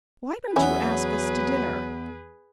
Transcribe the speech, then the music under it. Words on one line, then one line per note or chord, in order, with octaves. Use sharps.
Why don't you ask us to dinner?
E2 F#3 B3 C#4 E4 G#4 B4